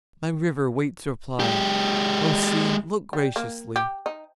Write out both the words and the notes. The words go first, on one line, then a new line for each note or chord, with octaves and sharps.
My river waits reply. Oh sea, look graciously!
G#3 G4
G3
A#3
G4
D#4